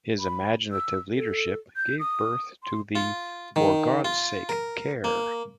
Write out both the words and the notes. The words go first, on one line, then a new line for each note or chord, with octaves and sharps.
His imaginative leadership gave birth to the 'For God's Sake Care!
B5
E6
A4
G6
D#6
C6
F4
D#3
F4
A#4
A#3